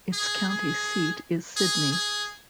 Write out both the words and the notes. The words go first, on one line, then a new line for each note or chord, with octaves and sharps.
Its county seat is Sidney.
G#4
G#4
G#4
G#4